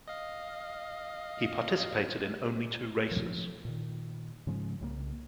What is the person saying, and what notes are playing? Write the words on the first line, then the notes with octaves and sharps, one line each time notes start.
He participated in only two races.
D#5 F5
F3
A#2 D#3
G#2 C#3 F3 G#3
C2 C#3 G3 A#3